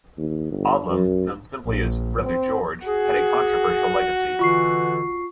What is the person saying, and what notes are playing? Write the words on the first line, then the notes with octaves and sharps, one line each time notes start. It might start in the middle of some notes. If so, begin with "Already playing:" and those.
Odlum, known simply as "Brother George", had a controversial legacy.
D#2
G1
F#2
A#1
C4
F#4 G#4
B2 D3 E3 F4 C#6 C7